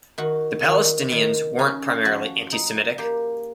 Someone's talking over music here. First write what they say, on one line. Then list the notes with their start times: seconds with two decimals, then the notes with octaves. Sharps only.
The Palestinians weren't primarily anti-Semitic.
0.18 D#3 F#4
0.65 D#3
1.12 D#3
1.59 C#4
2.05 F3 F#4
2.52 D#4
2.98 A#3 G4